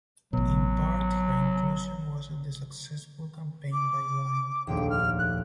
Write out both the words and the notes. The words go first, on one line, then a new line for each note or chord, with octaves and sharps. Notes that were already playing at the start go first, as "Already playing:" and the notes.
In part her inclusion was at the successful campaign by Wild.
A1 B2 F#3
D6
F1 A#1 D#2 G5
F6
F#6